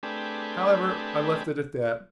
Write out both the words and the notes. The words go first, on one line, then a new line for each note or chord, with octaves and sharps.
However, I left it at that.
A3 C4 D4 G4 G#4 B4